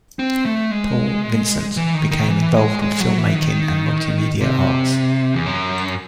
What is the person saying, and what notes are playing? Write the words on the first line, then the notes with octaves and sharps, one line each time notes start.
Paul, Vincent became involved with film-making and multimedia arts.
C4
A3
G#3
E3
D#3
D#3
E3
G#3
G#3
F#3
E3
D#3
C3
E2
F#2